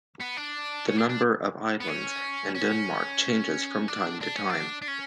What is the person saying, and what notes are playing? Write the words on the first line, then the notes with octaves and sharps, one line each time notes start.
The number of islands in Denmark changes from time to time.
B3
D4
C#4
D4
D4
B3
C#4
C#4
D4
D4
C#4
D4
D4
C#4